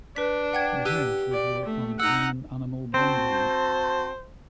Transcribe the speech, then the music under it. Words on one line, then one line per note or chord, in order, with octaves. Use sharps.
He is known for his work on human–animal bonding.
D4 B4 B6
F#5 G5 G#6
G4 E6 F#6 D#7
D5
A3
D#4 F#5 E6
C4 F#4 C5 A5